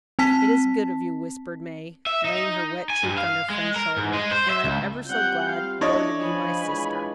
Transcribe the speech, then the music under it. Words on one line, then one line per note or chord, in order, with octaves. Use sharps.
"It is good of you," whispered May, laying her wet cheek on her friend's shoulder; "and I'm ever so glad you're to be my sister."
C4 A5 B6
E5
D#4
G#5
G2
F5
G#3
A#4
G#2
G#3
C5
E5
C#2
G3 C4 F4 F#5 G6
F5
C#4 D4 E4 A4 C#5 D#5
F3 G#5 B5
E3 G#3 F4